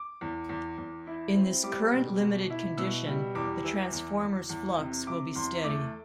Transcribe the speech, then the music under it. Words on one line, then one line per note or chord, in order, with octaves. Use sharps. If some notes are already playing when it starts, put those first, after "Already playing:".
In this current-limited condition the transformer's flux will be steady.
Already playing: D6
E2
E2
E2
E4
C4
G3 D6
B2
B2
E4
B2 E6
G3
E2 D6
E3 E6
E2
E2
E2
C3
C3 D6
E2 C6
A3 D6